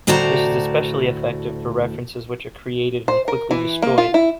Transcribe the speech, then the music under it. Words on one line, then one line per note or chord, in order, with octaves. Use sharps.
This is especially effective for references which are created and quickly destroyed.
D2 A2 F#4 C5 D5 A#5
C5
A#4
E3
A#3
F4
E4